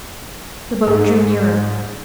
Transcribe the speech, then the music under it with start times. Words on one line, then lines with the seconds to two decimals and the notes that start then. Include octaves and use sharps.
The boat drew nearer.
0.87 G#2